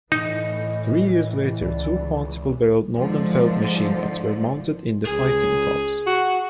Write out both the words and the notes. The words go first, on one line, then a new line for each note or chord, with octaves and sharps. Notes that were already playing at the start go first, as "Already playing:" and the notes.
Three years later two quintuple-barreled Nordenfeldt machine guns were mounted in the fighting tops.
A2 E3 D#4 D#5
C#2 D5
G#2 D3 F3
C#2 G#4
F#4